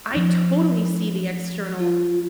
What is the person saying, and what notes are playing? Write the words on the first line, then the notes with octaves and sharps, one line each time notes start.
I totally see the external
F3 C#4 D#4
F4